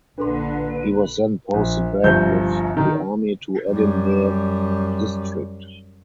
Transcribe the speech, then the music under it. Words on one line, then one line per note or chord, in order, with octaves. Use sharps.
He was then posted back with the army to Edinburgh district.
A#1 A#2 D3 D4 A4 B4 C6
A#1
G1 C2 F3 G6
D#3
F#2 G3